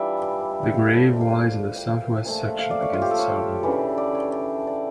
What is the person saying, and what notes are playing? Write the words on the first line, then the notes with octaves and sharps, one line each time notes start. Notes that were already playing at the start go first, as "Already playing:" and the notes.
The grave lies in the south-west section, against the southern wall.
Already playing: E3 G3 D4 F4 D5 E5
E5
G5
F5
A2 F3 A3 G5
E5 F5
G5
F5
A#2 F3 A3
F5
D5
C#5
F4
G4
A4
C#5
C#3 E3 A3 D4
D5
C#5
D5
D5